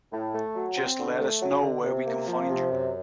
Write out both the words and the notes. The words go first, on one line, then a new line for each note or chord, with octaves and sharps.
Just let us know where we can find you.
A2
A3
F#3
C4
D3
A3
F#3
D3
C3
A#3
F3
C3
F#2